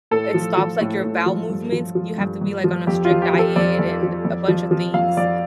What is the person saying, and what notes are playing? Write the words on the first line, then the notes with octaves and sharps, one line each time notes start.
It stops like your bowel movements. You have to be like on a strict diet and a bunch of things,
A2 A4
F3
F3
A2
A2
F3
G2
F3
F3
G2
G2
F3
F2 G4
F4
F3
G4
F3
A4
F2 D5
F2
F3
F2
F3
F3
F2 F5
F2 D5